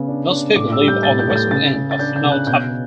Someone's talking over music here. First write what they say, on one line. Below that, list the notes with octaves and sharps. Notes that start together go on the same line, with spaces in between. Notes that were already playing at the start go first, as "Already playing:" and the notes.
Most people live on the western end of Fenua Tapu.
Already playing: C#3 B3
D4
D4
A2 D6
E6
G3
G6
A2 A6
G6
A2 A6
G6
C#3 A6
C#3
A6
D4 G6
G6
C#3
F#6
B2 G6